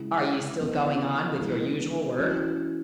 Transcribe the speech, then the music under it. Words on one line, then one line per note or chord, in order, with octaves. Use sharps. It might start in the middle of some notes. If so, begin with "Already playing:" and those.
"Are you still going on with your usual work?"
Already playing: C#3 G#3 E4
E3 B3 E4
E3 G#3 B3 E4
E3 C#4 F#4